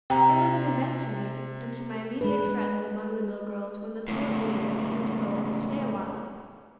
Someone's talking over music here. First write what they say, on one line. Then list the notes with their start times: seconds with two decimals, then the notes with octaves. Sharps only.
It was an event to me, and to my immediate friends among the mill-girls, when the poet Whittier came to Lowell to stay awhile.
0.10 C3 G5 A#5
2.21 G#3 B4
4.08 C#2 A2